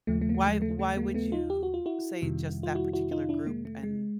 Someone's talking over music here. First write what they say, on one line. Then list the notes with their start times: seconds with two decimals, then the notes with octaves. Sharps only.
why why would you say just that particular group and,
0.07 D#2 C#3 F3 A3
0.21 A3
0.29 A#3
0.35 A3
0.48 G#3
0.62 A3
0.79 A3
0.97 G#3 A#3
1.14 A3 B3
1.32 D#4 F4
1.50 G4
1.63 F#4
1.74 F4
1.86 E4 F#4
2.22 F2 C3 D#3 G3
2.63 F4
2.75 E4 F#4
2.93 E4 F#4
3.11 D#4 F4
3.29 D4 E4
3.46 G#3 A#3
3.65 A3
3.83 G#3